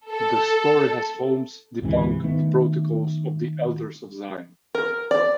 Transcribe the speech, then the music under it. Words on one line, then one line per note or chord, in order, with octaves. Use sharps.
The story has Holmes debunk "The Protocols of the Elders of Zion".
A4
D2 G#2 C3 E3
D#3 A3 B3
A#4
D5